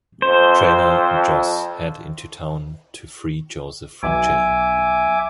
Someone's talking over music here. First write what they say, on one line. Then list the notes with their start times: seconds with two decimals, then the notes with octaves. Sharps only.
Traylor and Joss head into town to free Joseph from jail.
0.22 F2 C5
4.03 B1 E5 G#5 D6